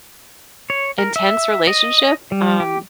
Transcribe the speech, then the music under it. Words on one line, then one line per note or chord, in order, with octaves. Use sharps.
intense relationship, um
C#5
A#4
E5
D#5
G3
G4